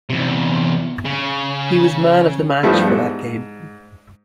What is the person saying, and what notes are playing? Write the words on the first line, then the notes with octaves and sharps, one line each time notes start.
He was man of the match for that game.
E2 C3
C#3
G2 F3 G3 A3 B3 E4
G#2